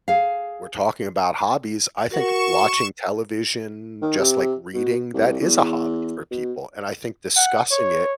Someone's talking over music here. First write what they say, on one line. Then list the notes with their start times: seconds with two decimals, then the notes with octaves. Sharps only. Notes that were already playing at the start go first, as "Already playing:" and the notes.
we're talking about hobbies, I think watching television, just like reading, that is a hobby for people. And I think discussing it
0.08 G#4 F5
2.11 F#4 A#4 F#5 C#6 E7
4.02 D#3
4.19 C3
4.74 B2
5.14 C2
5.40 E2
6.31 B2
7.37 F#5
7.71 C#5